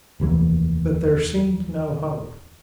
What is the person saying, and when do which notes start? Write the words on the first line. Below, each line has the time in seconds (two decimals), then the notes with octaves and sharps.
But there seemed no hope.
0.20 F1 D#2 E3